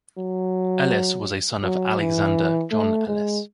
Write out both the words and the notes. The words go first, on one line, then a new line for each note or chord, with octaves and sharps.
Ellis was a son of Alexander John Ellis.
F#3
F#3
E3
A3
G#3